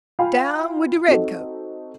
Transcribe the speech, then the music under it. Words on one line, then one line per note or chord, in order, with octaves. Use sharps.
Down wid de redcoats!
F4 F5 G5 G#5 B5
C4 D#4 F#4 A4